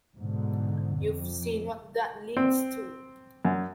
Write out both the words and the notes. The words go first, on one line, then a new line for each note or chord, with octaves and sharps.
You've seen what that leads to.
G#2 B2 D3
F2
C4
F#2